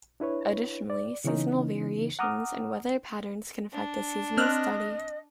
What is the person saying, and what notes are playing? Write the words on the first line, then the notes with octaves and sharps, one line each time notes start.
Additionally, seasonal variations and weather patterns can affect a seasonal study.
D4 E4 B4 C#5
D5
C#3 E3 B3 C#4 D#4
F#5 A#5 D6 D#6 F6
D4
C4 D#5 F6 F#6